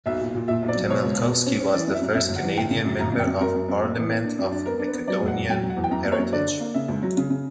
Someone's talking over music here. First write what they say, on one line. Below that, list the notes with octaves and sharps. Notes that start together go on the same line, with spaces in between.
Temelkovski was the first Canadian Member of Parliament of Macedonian heritage.
B1 E5
A#2
A#2
A#2 E5
B1
D5
F#3
B2 C#5
C#2
B2
B2
C#4
C#4
E3 D5
F#2
E5
F#2
F#2 E5
G1
F#5
E3
G1 G5
C#3
F#2
G1 A#5
F#2
G5
F#2
F#2 A#4
F#2
F#2
A#3
E3
A#3
D4
F#2
D4
B3 A#4
D4
B4
B3
F#3 D5
E1
F#5
E1
F#3 G5
F#3
F#5
E2
G5
F#2 A#5
A#3
C#5
F#2
D3 D5
D3
A#3
C#3 E5
C#2
F#3
C#3
C#3